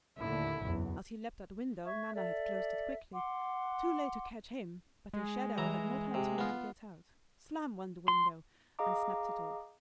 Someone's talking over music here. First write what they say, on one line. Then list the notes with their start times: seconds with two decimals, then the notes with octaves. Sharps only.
As he leapt at the window Nana had closed it quickly, too late to catch him, but his shadow had not had time to get out; slam went the window and snapped it off.
0.18 D#2 A2 D3 E4
0.59 F#1 B1 E2
1.86 E5 C#6 G#6
2.14 A4 D5 E5
3.12 F#5 C6 D6
5.13 G#3
5.58 E3 A#5
6.14 C3
6.38 B3 F4
8.08 C6
8.79 G#4 D#5 F5 A#5 D6